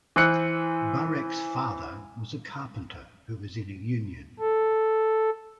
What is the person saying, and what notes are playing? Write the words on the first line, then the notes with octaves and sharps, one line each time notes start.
Barek's father was a carpenter who was in a union.
E3 C5 F#6 C#7
A4